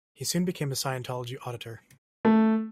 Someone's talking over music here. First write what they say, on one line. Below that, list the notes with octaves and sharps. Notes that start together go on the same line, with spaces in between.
He soon became a Scientology auditor.
A3